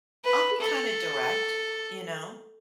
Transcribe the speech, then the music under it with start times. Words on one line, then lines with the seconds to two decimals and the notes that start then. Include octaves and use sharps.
I'll be kinda direct. You know?
0.24 B4
0.60 A4